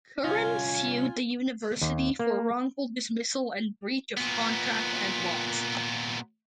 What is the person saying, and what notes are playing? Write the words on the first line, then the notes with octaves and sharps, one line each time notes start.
Curran sued the University for wrongful dismissal and breach of contract and lost.
C2 C#4 F4 G#5
D#2
A#3
A#2 B3